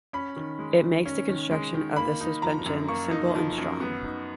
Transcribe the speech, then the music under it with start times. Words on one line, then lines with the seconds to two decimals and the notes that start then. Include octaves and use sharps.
It makes the construction of the suspension simple and strong.
0.13 C#4 B5
0.36 D#3
0.59 G#3
0.82 D#3
1.06 C#4
1.29 D#3
1.51 G#3
1.74 D#3
1.96 A#3 B5
2.20 D#4
2.42 F3 A#5
2.66 F#2
2.88 A#3 C#6
3.11 D#4
3.35 F3
3.58 F#2
3.81 B3
4.04 D#4